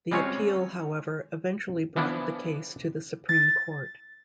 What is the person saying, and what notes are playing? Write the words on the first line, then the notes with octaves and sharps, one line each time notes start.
The appeal, however, eventually brought the case to the Supreme Court.
G3 G#3 C4 C#4 F4 C#5
E3 F3 B3 D4 E4
A6